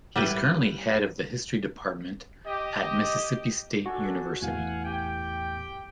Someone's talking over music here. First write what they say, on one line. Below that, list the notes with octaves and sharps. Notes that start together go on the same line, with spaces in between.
He is currently head of the history department at Mississippi State University.
G3 E4 B4
G4 D#5
D4 F#4 A4 G#5
E2 A2 F5 F#5 G#5
G4 G5